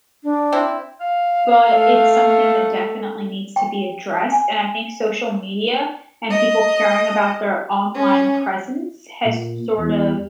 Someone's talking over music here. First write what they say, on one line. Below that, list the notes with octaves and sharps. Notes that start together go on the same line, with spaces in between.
but it's something that definitely needs to be addressed, and I think social media and people caring about their online presence has sort of
D4
C4 E4
F5
A3
G5
G#5
D#5
C#4
A#2
E2